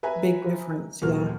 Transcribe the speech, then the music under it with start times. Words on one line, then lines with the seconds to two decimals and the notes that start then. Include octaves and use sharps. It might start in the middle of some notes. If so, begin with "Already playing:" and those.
Big difference, yeah.
0.03 B4 E5 G#5 A#5
1.02 D#1 D2 F#3 A#3 F#4 F6